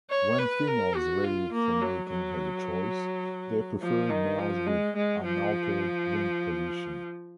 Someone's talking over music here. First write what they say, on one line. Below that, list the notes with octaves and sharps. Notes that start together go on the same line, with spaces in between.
When females ready for mating had the choice, they preferred males with unaltered wing position.
C#5
B4
A#4
F#4
F4
A#3
F#3
F#3
F3
D#3
F3
G#3
G#3
F3